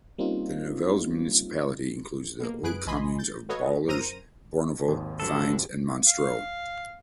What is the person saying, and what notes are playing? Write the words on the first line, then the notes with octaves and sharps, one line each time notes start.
The Nivelles municipality includes the old communes of Baulers, Bornival, Thines, and Monstreux.
G3 A#3 C4 C#4 D#4 F4
B2 A#3
F#2 G#4 B4 F#6 D7
B1 E3 D#5 G#5 B5 C6
G6 A6
F#4 A4 B4 C#5 D#5 F5
F#2 A#4 C5 A#5 A#6 D#7
G#1 D#2
D2 G2 D3 F#3 A4
F5